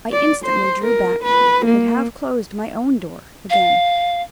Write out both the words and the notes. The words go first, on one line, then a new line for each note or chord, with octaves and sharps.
I instantly drew back, and half-closed my own door again.
D5
C5
A#4
B4
A#3
F5